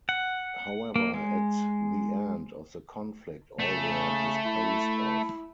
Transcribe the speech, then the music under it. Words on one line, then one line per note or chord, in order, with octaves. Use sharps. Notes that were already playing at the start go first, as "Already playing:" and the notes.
However at the end of the conflict all were disposed of.
F#5
A#3
G#3
C#3 A3
E4